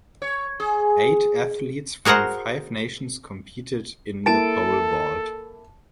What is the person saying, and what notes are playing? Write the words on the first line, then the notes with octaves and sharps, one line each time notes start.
Eight athletes from five nations competed in the pole vault.
C#5
G#4
F#4 G#4 A#4 C5 F#5
A#3 E4 A4 A5 D7